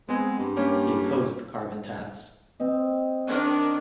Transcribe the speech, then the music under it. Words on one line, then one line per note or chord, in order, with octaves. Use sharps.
He opposed the carbon tax.
G#3 B3 C4 G#4
G2
A#3 C#4 G4
C4 D#5
D#3 D4 A#4